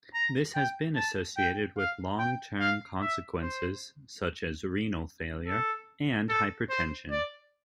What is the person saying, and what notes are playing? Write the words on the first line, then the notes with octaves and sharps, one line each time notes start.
This has been associated with long-term consequences such as renal failure and hypertension.
A#5
G5
A5
G5
F5
G5
F5
E5
C5
A4
A4
C5
D5